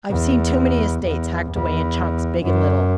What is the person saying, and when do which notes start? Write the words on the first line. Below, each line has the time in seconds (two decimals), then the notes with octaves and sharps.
I've seen too many estates hacked away in chunks, big and little.
0.10 E2
1.04 E2
1.49 E2
2.42 F#2